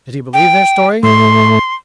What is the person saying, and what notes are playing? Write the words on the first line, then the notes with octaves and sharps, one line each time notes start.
Did he believe their story?
G5
A2 A3 C6